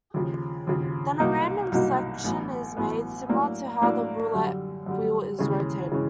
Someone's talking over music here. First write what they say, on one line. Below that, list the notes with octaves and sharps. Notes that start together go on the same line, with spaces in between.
Then a random selection is made similar to how the roulette wheel is rotated.
D#2 C#3 F3
D#2 C#3 F3
C2 B2 F#3 A#3 D#4
C2 B2 F#3 A#3 D#4
A1 A2 F#3 B3
A1 A2 F#3 B3
A2 F#3 A#3 D4
A2 F#3 A#3 D4
F#2 D3 G3
F#2 D3 G3
D#2 C#3 E3 G#3 C#4
C#3 E3 G#3 C#4